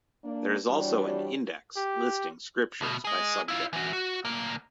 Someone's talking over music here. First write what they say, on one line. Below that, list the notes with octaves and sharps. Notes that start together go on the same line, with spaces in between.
There is also an index listing scriptures by subject.
A#3 D4
E3 G3 D4 F#4 G4 C#5
G4
D2 B2
G#4 D#5
E4 F4
E3 F#4
F#4
D2 A#3